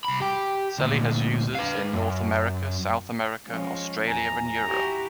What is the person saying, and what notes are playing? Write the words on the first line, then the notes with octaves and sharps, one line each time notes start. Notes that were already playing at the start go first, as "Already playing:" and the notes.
Selly has users in North America, South America, Australia, and Europe.
C2 B5
G4 G5
D2 A#2
B4 F5
F#2
F3 G#3 C#4
E2 G#5 A#5
E4 F#4 G4